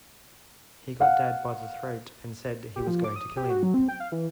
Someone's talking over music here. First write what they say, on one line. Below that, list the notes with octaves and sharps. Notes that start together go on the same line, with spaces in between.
He got dad by the throat and said he was going to kill him.
F5 F#5
G4
F3
D6
D#6
G4
F#4
F#3
C4
G5
F5
E3